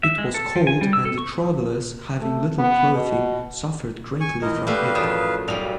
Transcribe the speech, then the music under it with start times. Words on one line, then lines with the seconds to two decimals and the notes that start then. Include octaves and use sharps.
It was cold and the travelers, having little clothing, suffered greatly from it.
0.03 E5
0.18 G#3
0.34 A4
0.56 F3
0.67 G#5
0.81 G3
0.93 E6
1.05 A4
1.18 C#6
2.20 A3
2.58 B3
2.95 B2
4.20 G#5 C#6
4.42 A2 E3 A#4 D#5
4.67 G3 A3 B3 B4 F5
4.95 A1 F#2 F3 D#6 E7
5.48 B1 F#2 G3 F7